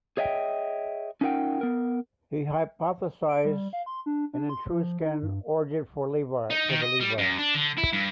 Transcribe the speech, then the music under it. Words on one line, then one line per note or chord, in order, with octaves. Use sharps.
He hypothesized an Etruscan origin for the Livii.
G#4 C#5 D#5 E5 G5
C#4 D#4 F4 A#4 F#5 G5
B3 A#4
D7
G3
F5
C6
D4
D4
C6
F3
D#4
G2
D#4
D#3
D#5
G3
F#2
D4
D3
E4
G2